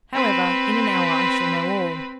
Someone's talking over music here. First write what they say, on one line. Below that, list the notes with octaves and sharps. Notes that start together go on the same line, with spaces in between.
However, in an hour I shall know all.
C4 B4